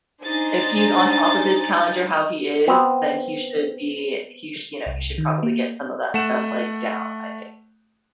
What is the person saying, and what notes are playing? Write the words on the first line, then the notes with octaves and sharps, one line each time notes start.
If he's on top of his calendar how he is, then he should be he sh you know, he should probably get some of that stuff, like, down, I think.
D4 D#4 C5 G#5 A6
B3 C4
C2
D#3
A#3
A3 F#5 E7